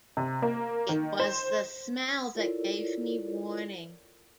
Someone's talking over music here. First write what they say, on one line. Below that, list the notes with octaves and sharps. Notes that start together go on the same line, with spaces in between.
It was the smell that gave me warning.
C3
A#3
D#3
C5
E4 F4 A4 A#4 C#5 D5